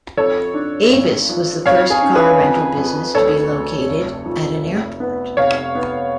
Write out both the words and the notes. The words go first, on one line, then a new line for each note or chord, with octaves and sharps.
Avis was the first car rental business to be located at an airport.
F2 A4 C#5
D4
G#1
F3
F2 C#5 F5
G#4
C#4
G#4 B4
F2
F2
D2 A4 C#5
D2
F1
F3
F1
B3
F1 C#5 F5
B3